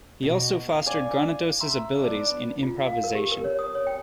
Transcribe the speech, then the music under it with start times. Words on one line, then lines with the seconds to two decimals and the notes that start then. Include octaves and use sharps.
He also fostered Granados's abilities in improvisation.
0.23 B2
0.69 F5
0.86 D5 G#5
1.60 E5 A#5 C6
1.98 F#3 B3 D4 D5
2.63 F4
2.86 F5
3.04 A#4
3.15 G4
3.32 A#4
3.44 C#5
3.59 D#6
3.75 C#5
3.87 G5